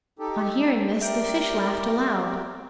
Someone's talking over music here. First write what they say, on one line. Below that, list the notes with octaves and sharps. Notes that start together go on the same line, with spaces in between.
On hearing this the fish laughed aloud.
D#4 G4 A4
G4 A#4 D5 E5 G6 D7